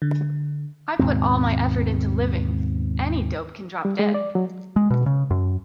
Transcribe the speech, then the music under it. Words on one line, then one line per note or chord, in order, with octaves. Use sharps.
I put all my effort into living; any dope can drop dead.
D3
D#2 G#2 B2 C4
G3
G#3
D5
F#3
G#3
B2
C#3
F#2